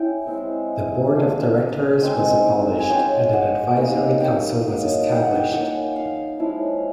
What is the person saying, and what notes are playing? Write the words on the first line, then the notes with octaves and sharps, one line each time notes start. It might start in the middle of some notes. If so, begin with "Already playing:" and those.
The board of directors was abolished and an advisory council was established.
Already playing: C#4 E4 G5
G#3 C4 E4
A#3 D4 F4
G#3 C4 D#4
G#5
G#3 C#4 F4 G5
F#5
A#3 D#4 F5
G5
F#3 A#3 D#4
G5
F#5
G5
A#3 C#4 F4 F#5
F5
F3 G#3 C#4 E4